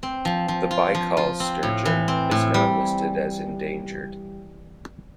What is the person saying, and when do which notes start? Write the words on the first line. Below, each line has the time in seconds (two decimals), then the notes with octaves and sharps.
The Baikal Sturgeon is now listed as endangered.
0.03 C4
0.25 F3
0.48 F3
0.71 F4
0.95 F3
1.17 F4
1.40 C4
1.63 A2
1.85 E3
2.08 C4
2.31 A2
2.54 G3